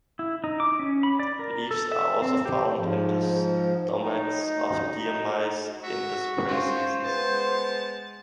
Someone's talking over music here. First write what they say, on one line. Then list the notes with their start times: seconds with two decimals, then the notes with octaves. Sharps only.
Leaves are also found in the stomachs of deer mice in the spring seasons.
0.19 E4
0.44 D#4
0.60 D6
0.80 C#4
1.03 B5
1.19 D5
1.39 A#4
1.71 A4
1.92 E5
2.22 C4
2.46 G4
2.73 G#2 F3
4.01 D#4
5.84 F#4 E5
6.48 C4 C#4 F4 C5
7.05 G#3 B3 A5